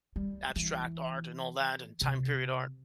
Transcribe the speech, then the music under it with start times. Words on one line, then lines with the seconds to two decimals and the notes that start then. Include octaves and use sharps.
abstract art and all that and time period art.
0.16 G3
0.56 E3
2.01 C3